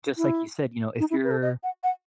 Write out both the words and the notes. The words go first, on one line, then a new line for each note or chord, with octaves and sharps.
just like you said, you know, if you're
E4
D#4
E4
B4
A4
D#5
F#5
F#5